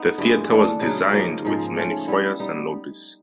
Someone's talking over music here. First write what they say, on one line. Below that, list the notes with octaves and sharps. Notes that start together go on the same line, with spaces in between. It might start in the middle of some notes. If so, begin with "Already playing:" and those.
The theatre was designed with many foyers and lobbies.
Already playing: B3 D#4
G2 E3 G#3
E3 A3 D4
C#3 F#3 B3 D#4
C#3 F3 A#3 D#4
G#2 F3 G#3
A3 C#4 F4
G3 B3 E4
G3 B3 D#4